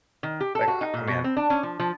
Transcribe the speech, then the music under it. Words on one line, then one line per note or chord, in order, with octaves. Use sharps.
like, I I mean,
D#3
G4
A4
F#4
D#4
A#2
B2
C4
D4
C#4
F3
F3